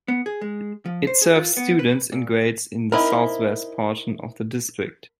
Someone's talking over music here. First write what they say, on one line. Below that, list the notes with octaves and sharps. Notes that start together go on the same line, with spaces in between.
It serves students in grades in the southwest portion of the district.
B3
G#4
G#3
F3
C5
G#4
F4
B3
B4
A#2
C4 D#4 E4 A#4 B5